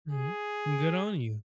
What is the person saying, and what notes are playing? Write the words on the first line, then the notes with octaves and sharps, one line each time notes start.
Mhm. Good on you.
G#4